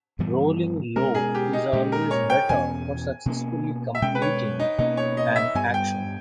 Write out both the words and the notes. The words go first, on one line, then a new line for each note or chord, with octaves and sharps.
Rolling low is always better for successfully completing an action.
G2 E3 G3 B3
B2 G#3 C#4 A#4
G#4
G4
D#4
A#2 G#3 C#4 G4
A#4
C#5
G5
E2 B2 A#3 C#4 G#5
B2 A#3 C#4
E5
B2 G#3 C#4 G5
B4
C#5
D#4
B2 A#3 C#4 D#4
C#5
D#5
E5
G2 G3 B3 G#5
G5